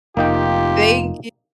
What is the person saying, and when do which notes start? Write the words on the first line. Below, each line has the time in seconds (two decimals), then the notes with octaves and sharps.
Thank you
0.17 F1 A#3 D#4 F4 G4 G5